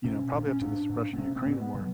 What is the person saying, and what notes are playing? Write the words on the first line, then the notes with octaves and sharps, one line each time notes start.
You know, probably up to this Russia-Ukraine war,
B2 C#4
A#2 D4
C#4
A2 D4
A2
C4
B2 C#4
C4
A2 B3
B2 F#3